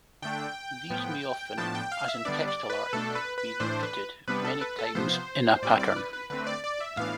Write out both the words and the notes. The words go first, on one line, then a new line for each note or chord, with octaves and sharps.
These may often, as in textile art, be repeated many times in a pattern.
D3 A3 D4 G5
A2 F3 B3
A2 F3 B3 D4 A5
G5
F5
E5
D3 G3 B3 D4 D5
D5
B4
B2 A3 D4 A4
B4
B4
A2 E3 A3 D4 C5
B4
C3 G3 B3 D4 B4
A4
B4
A4
C3 F3 B3 C5
A2 G3 C4 D5
D5
B4
B4
D3 A3 C4 B4
D5
D5
E5
A2 E3 B3 D4 F5